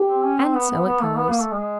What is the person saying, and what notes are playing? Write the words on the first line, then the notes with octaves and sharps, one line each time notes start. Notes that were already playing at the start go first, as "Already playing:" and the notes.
And so it goes.
Already playing: G4
C4
C#4
C4
B3
B3
B3
A3
B3
A#3
A3
G#3